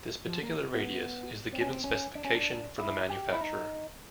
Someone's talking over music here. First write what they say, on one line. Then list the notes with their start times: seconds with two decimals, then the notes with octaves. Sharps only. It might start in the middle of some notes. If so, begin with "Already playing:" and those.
This particular radius is the given specification from the manufacturer.
0.27 F3
0.43 A#3
0.74 B3
1.53 C4
1.61 C#4
1.70 C4
1.84 C#4
2.15 D4
2.25 C#4
2.35 D4
2.78 E4
3.09 G4
3.33 E4
3.41 D#4